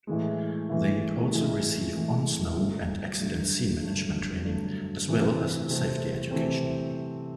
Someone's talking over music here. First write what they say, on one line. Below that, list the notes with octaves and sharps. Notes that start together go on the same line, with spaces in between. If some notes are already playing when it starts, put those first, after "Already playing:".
They also receive on-snow and accident-scene management training as well as safety education.
A2 E3 G#3
A2 E3 G#3
A2 E3 G#3
A2 E3 G#3
G2 D3 F#3 A3
G2 D3 F#3 A3
G2 D3 F#3 A3
G2 D3 F#3 A3
C3 E3 A3 C4
C3 E3 A3 C4
C3 E3 A3 C4